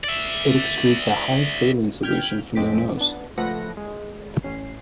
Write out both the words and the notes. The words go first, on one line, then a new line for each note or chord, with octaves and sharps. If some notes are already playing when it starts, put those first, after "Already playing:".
It excretes a high saline solution from their nose.
D5 E5
G5 F6 G6 G#6 B6 D7
F2 G#3 C4 D6 B6 D7
B3 D4
C#2 F3 A3 B4 F#5 A#6
G#3
A1 C#4 C7